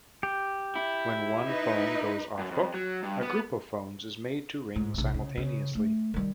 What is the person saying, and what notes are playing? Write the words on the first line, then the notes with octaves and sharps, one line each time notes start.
When one phone goes off-hook, a group of phones is made to ring simultaneously.
G4
E4
D#4 B4
F#2
F2
F#3
G2
B3
G#2
A#1 C3
C#3
C#3
A3
D#3 G3